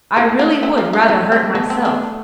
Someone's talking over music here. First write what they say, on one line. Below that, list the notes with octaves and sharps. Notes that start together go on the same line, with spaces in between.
I really would rather hurt myself.
A3 C4 E4
D4 F4
C4 E4
D4 F4
D4 F4
A3 C4 E4
C4
A3 B3
C4
B3 D4